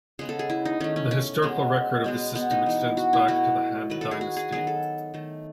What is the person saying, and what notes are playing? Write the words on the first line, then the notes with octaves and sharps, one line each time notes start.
The historical record of the system extends back to the Han Dynasty.
C#3 G#3 B3 G#4
A4
G#4
E4
D#4
D#3 A3 C#4
C#4
C#4
B2 G#3 B3
B2 G#3 B3
B3
D#4
E3 B3
F#4
E4
B2 A3 F#4
D#3 F#3 A3 B4
A4
G#4
F#4
G#4
D#3 F#3 B3 G#4
A4
D#3 A3